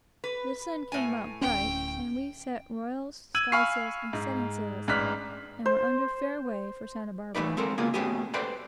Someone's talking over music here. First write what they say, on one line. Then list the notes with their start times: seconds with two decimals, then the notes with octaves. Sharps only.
The sun came up bright, and we set royals, skysails, and studding-sails, and were under fair way for Santa Barbara.
0.24 B4
0.92 A2 G#5
1.41 D1 C#4 G5
3.35 E6 G#6 D#7 F#7
3.52 F5 G#5 B5 C#6 F6 C7
4.13 G#2
4.88 A1 G#2 D4 F6 F#6 B6
5.66 C5
7.35 E3 A3 D#4 B4 D5
7.57 G#3 C4 A4 A#4 C5
7.78 C#3 A#3 B3 F4 F#4 G#4
7.94 B2 A3 B3 C#4 G4 G#4
8.34 A4 B4 C5 D5 G5